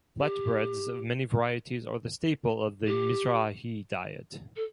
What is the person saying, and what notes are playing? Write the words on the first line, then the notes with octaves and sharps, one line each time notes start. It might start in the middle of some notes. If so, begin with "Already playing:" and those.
Flatbreads of many varieties are the staple of the Mizrahi diet.
G4
G4
A4